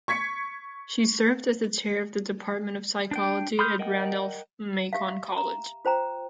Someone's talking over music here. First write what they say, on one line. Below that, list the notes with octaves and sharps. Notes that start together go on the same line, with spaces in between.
She served as the Chair of the Department of Psychology at Randolph-Macon College.
C#6 G#6 B6 C#7
D4 G5
B5 C6 D#6 F6 G6
A#4 D#5 F#5 G5
G4 E5 F5
A#5
F4 C5 G5 A#5